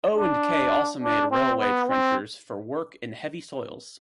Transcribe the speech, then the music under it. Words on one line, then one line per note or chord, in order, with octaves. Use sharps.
O and K also made railway trenchers for work in heavy soils.
D4
D4
C4
B3
C4